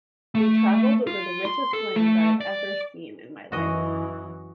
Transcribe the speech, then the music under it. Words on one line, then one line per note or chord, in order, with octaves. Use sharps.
We travelled over the richest land I had ever seen in my life.
A3
F4
C6
A4
A3
D5
F#2 E3 F#4 D#5